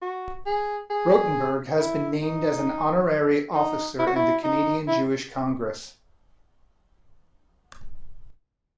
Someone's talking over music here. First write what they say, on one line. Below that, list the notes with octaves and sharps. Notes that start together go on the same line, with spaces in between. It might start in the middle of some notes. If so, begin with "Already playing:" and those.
Rotenberg has been named as an honorary officer in the Canadian Jewish Congress.
F#4
G#4
G#4
E4
D#4
D#4
E4
F#4
E4
D#4
E4